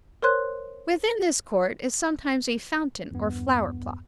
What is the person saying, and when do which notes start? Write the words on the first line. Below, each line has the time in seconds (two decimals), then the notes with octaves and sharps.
Within this court is sometimes a fountain or flower-plot.
0.22 A#4 C5 C#5 C6 F#6
3.11 E2 G2 B3